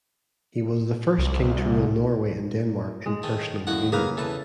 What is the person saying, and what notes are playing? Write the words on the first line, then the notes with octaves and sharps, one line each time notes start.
He was the first king to rule Norway and Denmark in personal union.
C2
G#3
D#3 A3
D#2 A2 F#4 F#5
C#3 A#3 G#4 B4 F5 A#5
E2 E3 A4 B4 A5